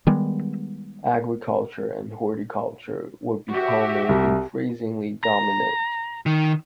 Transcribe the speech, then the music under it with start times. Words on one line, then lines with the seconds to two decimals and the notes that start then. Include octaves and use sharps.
Agriculture and horticulture were becoming increasingly dominant.
0.07 D#3 G3 G#3 B3
3.53 F#4 G4 E5
4.09 C2
5.24 A#5
6.26 D#3